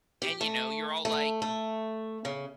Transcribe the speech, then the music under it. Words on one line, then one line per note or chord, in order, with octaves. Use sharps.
and, you know, you're all, like
G4
A3
A3
A3
C#3